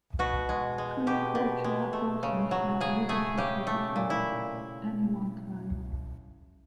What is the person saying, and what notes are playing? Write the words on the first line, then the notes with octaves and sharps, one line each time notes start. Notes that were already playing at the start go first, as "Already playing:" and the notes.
Three co-chairpersons share the leadership position at any one time.
B2 F#4
G#3
G#3
B2 G4
B2
G#3
A3
C#3
F#3
C#3 G#4
A3 G#4
C#3 G4
A3
A#2
E4